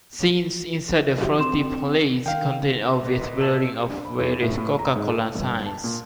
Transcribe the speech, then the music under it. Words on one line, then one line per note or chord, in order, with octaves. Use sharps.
Scenes inside the Frosty Palace contain obvious blurring of various Coca-Cola signs.
F3 F#4 G4 E5
C4 C6 E7
D#3 F5 G5
A#2 B4 D#5
E5 A5 E7 F#7
D4
B5
E2
A2
A2
A#5
G#2
A4
G1
A5
A#2